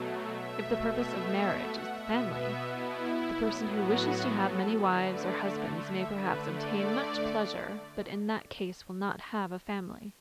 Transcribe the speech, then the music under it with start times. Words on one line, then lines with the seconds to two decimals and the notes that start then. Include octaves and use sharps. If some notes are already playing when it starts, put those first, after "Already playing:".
If the purpose of marriage is the family, the person who wishes to have many wives or husbands may perhaps obtain much pleasure, but in that case will not have a family.
Already playing: B2 F#3 A3
0.22 E5
0.58 B2 A3
0.92 E5
1.28 E5
1.63 F#5
1.97 B2 B3 E5
2.32 E5
2.66 E4
3.37 A2 F#3 B3
3.71 F#4
4.40 A4
4.76 D3 A3 B4
5.10 D5
5.81 E5
6.14 D3 A3 B4
6.49 D5